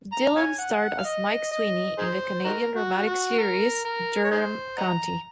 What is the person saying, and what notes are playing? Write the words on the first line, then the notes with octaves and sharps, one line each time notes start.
Dillon starred as Mike Sweeney in the Canadian dramatic series "Durham County".
A#5
C#5 F5 G#5
F#5
F5
D#5
D#5
D#4 G#4 C5
D#4 F#4 A#4
F#4
F#4
A#4
A#4
C#5
D#4 G#4 C5
D#5 F#5 A#5